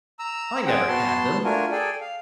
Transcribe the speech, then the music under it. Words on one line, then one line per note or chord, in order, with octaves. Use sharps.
"I never had them!"
A#5 E6
C4 G#4 F#5 G5
B3 F#4 A5 C6
A3 D4 F4 F#4 A#4 G#5
G#4 A4 D5 G5 G#5
F5